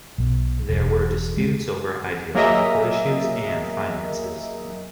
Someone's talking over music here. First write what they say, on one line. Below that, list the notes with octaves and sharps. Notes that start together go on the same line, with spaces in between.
There were disputes over ideological issues and finances.
B1
E1
G#3
F#3 A#3 G#4 A#4 D#5 E5